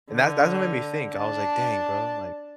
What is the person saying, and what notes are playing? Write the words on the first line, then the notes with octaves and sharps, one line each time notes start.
And that that's what made me think, I was like, "Dang, bro," like
D3
D4 A5